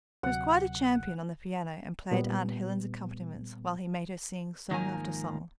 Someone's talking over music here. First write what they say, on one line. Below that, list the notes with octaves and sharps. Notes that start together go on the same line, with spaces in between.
He was quite a champion on the piano, and played aunt Helen's accompaniments while he made her sing song after song.
D2 C3 F#3 F#5
A#2 G3 B3
G#2 D#3 F3 A#3 A#4 G#5